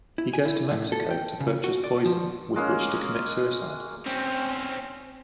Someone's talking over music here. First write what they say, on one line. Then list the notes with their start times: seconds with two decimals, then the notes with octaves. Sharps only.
He goes to Mexico to purchase poison with which to commit suicide.
0.18 E4
0.33 G#5
0.45 E4
0.71 A2
0.92 A4
1.11 G5
1.40 C#3
1.64 F#4
1.84 D5
2.05 F3
2.56 G#3 A#3 C#4
4.06 C4 C#4